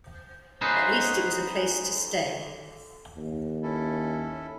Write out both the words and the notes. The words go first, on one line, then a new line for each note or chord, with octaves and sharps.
At least it was a place to stay.
C#4 D#4 F#4 G#4 B4 C5
D#2
C#4 E4 A4